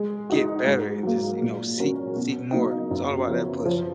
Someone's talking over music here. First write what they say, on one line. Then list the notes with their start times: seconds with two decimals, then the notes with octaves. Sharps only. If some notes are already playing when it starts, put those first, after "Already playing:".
get better, and just, you know, seek seek more. It's all about that push.
Already playing: G#3
0.30 D#4 F#4
0.67 G#2
1.03 F#3 A#3
1.41 A#2
1.78 F#3 C#4 F#4 A#4
2.16 B2
2.52 F#3 A#3 D#4
2.91 F#2
3.28 F3 B3 F#4 C#5
3.66 F3